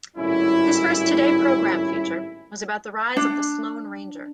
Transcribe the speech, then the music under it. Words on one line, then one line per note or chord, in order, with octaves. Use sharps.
His first Today Programme feature was about the rise of the Sloane Ranger.
G#1 A2 G3 C#4 E4
D4